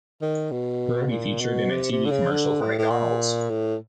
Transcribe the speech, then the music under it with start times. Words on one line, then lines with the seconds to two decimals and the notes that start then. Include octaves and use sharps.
Brody featured in a TV commercial for "McDonalds".
0.22 D#3
0.52 B2
1.11 A#2
1.41 B2
1.71 C3
1.91 C3
2.05 D3
2.11 C#3
2.31 D3
2.61 A2
2.78 A2
2.90 A#2
3.50 A2